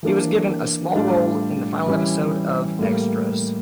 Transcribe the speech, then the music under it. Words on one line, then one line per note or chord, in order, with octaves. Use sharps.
He was given a small role in the final episode of "Extras".
E3 A#3 D4
A2 G3 D4 F4
E3 G3 C#4 E4
A2 G3 A#3